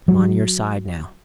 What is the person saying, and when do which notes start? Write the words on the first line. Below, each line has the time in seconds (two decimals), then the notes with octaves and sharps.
"I'm on your side now."
0.08 F#3